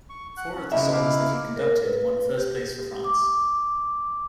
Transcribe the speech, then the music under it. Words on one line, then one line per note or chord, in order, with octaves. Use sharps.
Four of the songs that he conducted won first place for France.
C#6
F#5 F#6
C#4
C#3 D#4 E4 E5
E4 F5 D6
A#4
B4
G4
D6